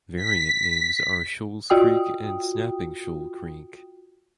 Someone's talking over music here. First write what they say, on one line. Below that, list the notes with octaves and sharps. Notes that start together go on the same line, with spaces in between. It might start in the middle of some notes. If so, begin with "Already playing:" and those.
Variant names are "Shoals Creek" and "Snapping Shoal Creek".
B6
F4 F#4 G5 D#6